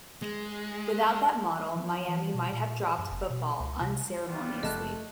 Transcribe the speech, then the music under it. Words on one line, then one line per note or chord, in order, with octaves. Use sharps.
Without that model, Miami might have just dropped football unceremoniously.
G#3
F3
E3
B2
A#2
F#2
F#1
B2
C#2
C3
G3 B3 F4
F#1 C#3 F3 A3 D#5 A5 F#6